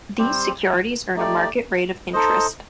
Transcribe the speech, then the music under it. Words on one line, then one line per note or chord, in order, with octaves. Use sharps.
These securities earn a market rate of interest.
G3 C4 G4 C5
A3 D#4 G4 D5
D#4 A4 C5 D#5